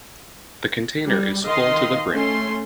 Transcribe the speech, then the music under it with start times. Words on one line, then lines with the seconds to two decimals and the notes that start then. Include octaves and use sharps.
The container is full to the brim.
1.06 G3
1.44 D#3 D#5 F5 C6
2.11 A3 C#4 C6